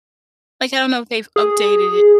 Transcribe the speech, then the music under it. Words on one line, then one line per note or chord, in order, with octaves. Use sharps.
Like, I don't know if they've updated it
G#4